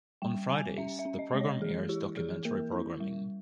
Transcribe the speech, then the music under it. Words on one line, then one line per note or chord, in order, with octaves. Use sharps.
On Fridays, the program airs documentary programming.
G3 G5
G3 G#5
C#4 E5
E5
C#4
D#5
G#3 D#5
C#5
E3 G#4
E4 G4
E3 G#4
A#3 A#4
E4
G3